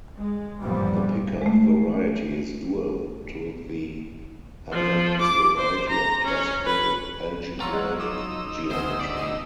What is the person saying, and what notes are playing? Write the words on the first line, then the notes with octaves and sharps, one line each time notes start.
The Picard variety is dual to the Albanese variety of classical algebraic geometry.
G#3
G2 A#2 E3 F3 G3 B3
G#3 A3
F3
D6
C5
A#5
C#4
B4
F#3 F4 C#5 A#5 C6 C#6 E6
G#3 F#4
D#4 C6 D6 E6
D2 C5 D#6
D5
B2 G#4 D#5